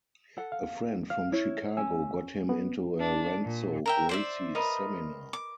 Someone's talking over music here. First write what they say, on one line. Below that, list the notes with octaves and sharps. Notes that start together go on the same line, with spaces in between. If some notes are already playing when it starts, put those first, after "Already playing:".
A friend from Chicago got him into a Renzo Gracie seminar.
A4 F#5
F5
F5 F6
E4 C#5
C#4 G#5 E6
B3
D4
A#2
A#4 E5 G5
C5 D5 E5
A#4 B4 D#5
D6